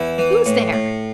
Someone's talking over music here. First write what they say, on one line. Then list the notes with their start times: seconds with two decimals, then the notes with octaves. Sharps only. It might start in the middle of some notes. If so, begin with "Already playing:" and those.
Who's there!
Already playing: E2 E4
0.18 E3
0.46 A2
0.73 A2